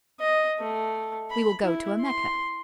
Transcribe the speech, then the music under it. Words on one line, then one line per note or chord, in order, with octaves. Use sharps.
We will go to a Mecca.
D#5
A3
B5
E4
C6